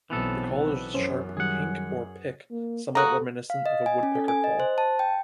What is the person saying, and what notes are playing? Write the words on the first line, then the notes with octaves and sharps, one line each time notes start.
The call is a sharp "pink" or "pick", somewhat reminiscent of a woodpecker call.
B1 E3 B3 C4 A4
F#2 C#4 C5 C#5
D#3 F#3 G3 G#4 F#5
A#3
A#3 F#4 A4 A#5 D#6 F#6
F5
D#5
G#5
C#4
A4
G#5
D#5
C5
A5
G5